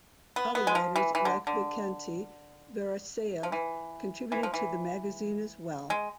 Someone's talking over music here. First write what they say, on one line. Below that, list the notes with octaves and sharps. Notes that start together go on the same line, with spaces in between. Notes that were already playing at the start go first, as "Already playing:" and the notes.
Other writers like Vikenty Veresayev contributed to the magazine as well.
B3
B3
G#3
F3
E3
E3
D3
D3
F3
E3
E3
F3
E3
G#3